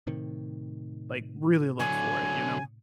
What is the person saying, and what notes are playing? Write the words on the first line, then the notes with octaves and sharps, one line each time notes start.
like, really look for it, you know?
A2 C3 D#3
D3 F#3 G#5